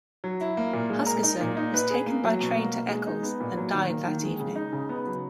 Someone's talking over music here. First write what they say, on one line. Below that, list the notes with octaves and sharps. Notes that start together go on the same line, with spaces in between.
Huskisson was taken by train to Eccles and died that evening.
F#3
E4
A#3
A#2
G#3
A#4
D#4
A#2
D#4
B4
G#4
A#3
F#3
B2
A#3
B2
G#3
D#4
B3
A#2
F#3
D#3
A#3
D#3
G#3
C#3
D#4
C#3
B3
F#3